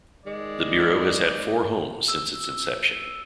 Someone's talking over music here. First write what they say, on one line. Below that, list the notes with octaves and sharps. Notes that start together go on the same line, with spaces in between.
The Bureau has had four homes since its inception.
D#3 G#3 D5
E6